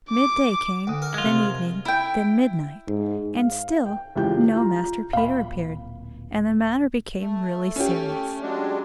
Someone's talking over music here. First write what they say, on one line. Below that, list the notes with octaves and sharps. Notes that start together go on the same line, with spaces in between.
Mid-day came, then evening, then midnight, and still no Master Peter appeared, and the matter became really serious.
D6
D2 F#5 D#6
A#4
G#3 F4
C3
E4 G5
G#2
F5
G5
C#2 E3 G4 G5 G6
F4 A#5
D1 A#2 F5 B5
A3
C#4 G4
F#3 G#3 D4